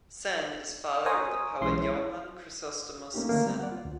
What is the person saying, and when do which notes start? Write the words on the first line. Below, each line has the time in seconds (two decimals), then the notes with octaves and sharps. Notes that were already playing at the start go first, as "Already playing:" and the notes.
Senn is father of the poet Johann Chrysostomus Senn.
1.06 C5 C#5 G#5 A#5 D#6
1.61 B1 E3 G#3 C#4 C6
1.82 E4
3.14 A3 A#3 C4 C#4 D#4 G4
3.29 D3 D#3 A3 A#3
3.46 G3 B3 C4
3.59 D5 F#5
3.72 F4
3.85 D2